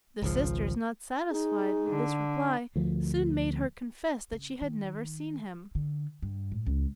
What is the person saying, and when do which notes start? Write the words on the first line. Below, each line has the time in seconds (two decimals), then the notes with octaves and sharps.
The sisters, not satisfied with this reply, soon made her confess that she had never seen him.
0.22 G#1 C#2 F3
1.31 D#4 G#4
1.88 D3
2.76 D2 F3
4.32 C#3
4.61 D#3
5.75 D3
6.22 G2
6.52 A2
6.67 C#2